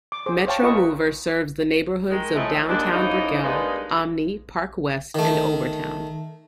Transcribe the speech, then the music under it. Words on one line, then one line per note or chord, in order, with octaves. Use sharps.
Metromover serves the neighborhoods of Downtown, Brickell, Omni, Park West, and Overtown.
D6
G#4 C5 D6
C5 C#5 F5 G5 A5 C#6
F4 G#4 A#4 B4 D#5 C#6
D#3 G#3
A2 F3 G#3 A3
D#2 G#3 D4
C#3 E3 F3 A3 D#4
G3 G#3 A#3 B3 D4 D#4
D#3 A3